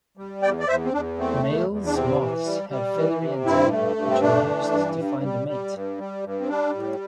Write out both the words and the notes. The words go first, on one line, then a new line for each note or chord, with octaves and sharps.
Males moths have feathery antennae, which are used to find a mate.
G3
E2 D5 G5
D5
E2 C5 E5
C4
E2 D4
A3 C4
E2
E2
D4
C3 C4
E3
G3
G3
E3
C3
G2 C4 E4
A3
G2
C4
A3 D4
E3
G2
G2
G3
G3
G2
G3
G2
C4
G3 D4
A2